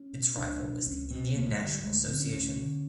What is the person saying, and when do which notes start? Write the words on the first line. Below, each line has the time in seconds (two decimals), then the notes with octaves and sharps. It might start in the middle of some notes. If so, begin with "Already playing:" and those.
Its rival was the Indian National Association.
Already playing: C#4
0.13 B2
0.37 C#2 D4
0.62 B2
0.86 C#2 C#4
1.10 B2 C4
1.34 D2 A#3
1.51 G#3
1.59 D3
1.67 G3
1.83 D2 G#3
2.07 D3 C4
2.20 C#4
2.32 D2 C#4
2.57 D3